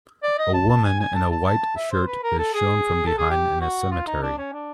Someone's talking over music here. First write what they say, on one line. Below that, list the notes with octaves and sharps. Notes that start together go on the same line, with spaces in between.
A woman in a white shirt is shown from behind in a cemetery.
D5
D#5
A5
A5
G#5
G#5
A5
A5
A5
E5
C5
B4
A#4
A4
G#4
A4
G#4
G4
F#4
F4
D#4
D4
C#4
D4